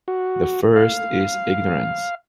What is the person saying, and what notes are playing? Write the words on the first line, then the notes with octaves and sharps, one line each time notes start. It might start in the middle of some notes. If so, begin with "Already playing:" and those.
The first is ignorance.
F#4
F5